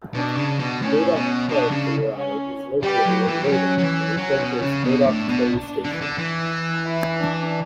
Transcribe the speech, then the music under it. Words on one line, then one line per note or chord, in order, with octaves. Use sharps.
Murdoch Park 'n' Ride is located in Murdoch, and incorporates Murdoch Train Station.
B2 D4
C#3
B2
A2 C#4
B2
B2 D4
C#3
C#4
G3 G4 B4
F#3
E3
G3
F#3 C#4
F#3
E3
F#3 C#4
B2
C#3
B2 D4
A2
B2
D3
E3
D3
E3
E4
D4